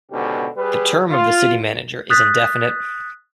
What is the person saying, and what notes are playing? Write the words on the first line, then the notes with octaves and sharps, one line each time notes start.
The term of the city manager is indefinite.
C#2 G#2 B2 D3 G4
G3 G#4 B4
F4
D#6 F#6 G6 A6 B6